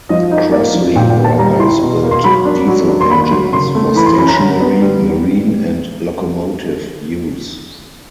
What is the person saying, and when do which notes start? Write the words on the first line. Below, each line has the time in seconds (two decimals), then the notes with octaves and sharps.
Crossley Brothers built diesel engines for stationary, marine and locomotive use.
0.09 F3 D#5
0.31 D#4
0.52 A#3 D5
0.74 F3
0.95 A#2 G5
1.10 G5
1.17 B3
1.24 A5
1.38 G3 A#5
1.59 E4 C6
1.81 B2
2.03 A#3
2.11 C6
2.24 F#3 B5
2.45 D4
2.68 F#3
2.88 D4
3.01 C6
3.10 A#3 B5
3.31 F#3 C6
3.52 C#3 C6
3.75 A3
3.95 E3 B5
4.06 C6
4.18 C#4 B5
4.27 A#5
4.39 D3
4.60 B3
4.81 G3